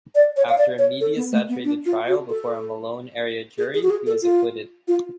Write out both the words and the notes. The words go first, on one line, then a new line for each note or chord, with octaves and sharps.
After a media-saturated trial before a Malone-area jury, he was acquitted.
D5
C#5
F5
D5
C#5
A4
B3
A3
B3
D4
F4
F#4
A4
G#4
G#4
F#4
G#4
A4
F4
F4